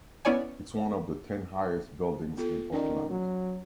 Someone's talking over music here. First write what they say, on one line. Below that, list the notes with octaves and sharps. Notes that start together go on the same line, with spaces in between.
It’s one of the ten highest buildings in Auckland.
B3 C#4 E4 C#5 D5 G#5
B3 F4 A4
D#3 C#4 D5
F#3